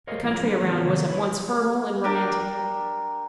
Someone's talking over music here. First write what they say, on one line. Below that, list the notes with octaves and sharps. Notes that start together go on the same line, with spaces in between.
The country around was at once fertile and romantic.
A#4 C5 C#5 D#5 F5
F3 G#3 A#3 C4 E4 A#4
G3 D4 A4 A#4 C5
E3 B3 C#4 A4
C3 D#3 F#3 A#3
E4 B4
D4 G4 A#4 A#5